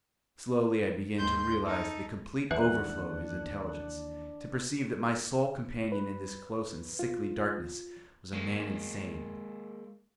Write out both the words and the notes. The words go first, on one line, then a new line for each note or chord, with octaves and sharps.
Slowly I began to realise the complete overthrow of his intelligence, to perceive that my sole companion in this close and sickly darkness was a man insane.
D#2 C6 G6
D#4 A4
D#2 E3 F#3 D4 B4 E5 F#5
B4
F4
G#3 A#3